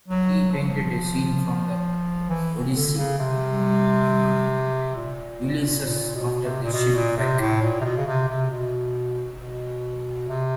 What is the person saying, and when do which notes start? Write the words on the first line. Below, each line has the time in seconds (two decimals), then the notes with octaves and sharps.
He painted a scene from "The Odyssey", "Ulysses after the Shipwreck".
0.08 F#3
0.52 F3
0.60 F#3
0.68 F3
2.30 E3
2.75 D3
2.97 C#3
3.19 C3
4.96 A#2
5.84 A#2
6.15 B2
6.44 C3
6.63 A#2
6.73 B2
6.95 A#2
7.17 C3
7.40 A2
7.62 A#2
7.81 C3
7.85 B2
7.97 C#3
8.07 C3
8.28 C3
8.51 B2
9.40 B2
10.29 C3